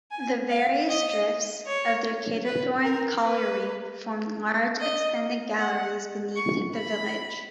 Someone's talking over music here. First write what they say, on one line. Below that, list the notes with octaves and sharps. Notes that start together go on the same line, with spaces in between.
The various drifts of their Carterthorne Colliery formed large extended galleries beneath the village.
G#5
F5
D#5
C#5
B4
A#4
B4
D#5
F#5
C#6
B5